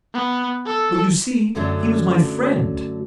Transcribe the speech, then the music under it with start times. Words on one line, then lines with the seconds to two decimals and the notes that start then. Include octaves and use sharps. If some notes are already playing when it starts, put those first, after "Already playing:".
"But, you see, he was my friend."
0.14 B3
0.66 A4
1.55 F#2 D3 F#3 A3 C#4 D4